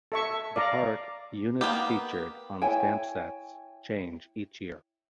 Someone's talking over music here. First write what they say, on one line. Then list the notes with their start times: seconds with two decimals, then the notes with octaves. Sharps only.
The Park units featured on the stamp sets change each year.
0.12 A4 E5 C#6
0.56 D5 F5 A#5
1.61 A#3 B3 G4
2.62 E4 C#5 G5 G#5